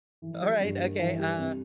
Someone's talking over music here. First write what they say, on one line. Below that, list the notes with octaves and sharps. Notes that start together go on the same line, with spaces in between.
alright, okay, uh
E3
G3
G2
A#3
E3
G3
C3